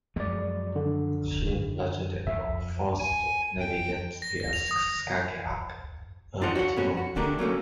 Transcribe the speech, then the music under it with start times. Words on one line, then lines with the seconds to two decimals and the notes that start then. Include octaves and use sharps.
Ships larger than were forced to navigate via Skagerrak, a detour.
0.16 F#2 F3 F#3 G#3 D5
0.76 D3
2.27 F2 E5
2.99 G#5
3.59 G5
4.22 A#6
4.40 A#6
4.53 F7
4.71 D#6
6.42 D4 F4 C5 D#5 F#5
6.56 F#4 C#5 F5 F#5
6.77 F2 B2 C#4 F#4
6.97 F#4
7.16 D3 A3 D4 G4 A#4
7.39 F#3 A3 A#3 C#4